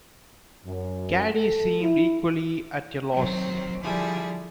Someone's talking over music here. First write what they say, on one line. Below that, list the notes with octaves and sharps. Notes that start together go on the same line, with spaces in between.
Caddy seemed equally at a loss.
F#2
A4
E4
D#3 F#3 C4
D3 F3 G3 E4 G#4